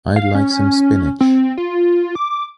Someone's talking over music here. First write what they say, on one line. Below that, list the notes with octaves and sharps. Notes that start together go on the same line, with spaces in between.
I’d like some spinach.
F5
C#4
C4
F4
D6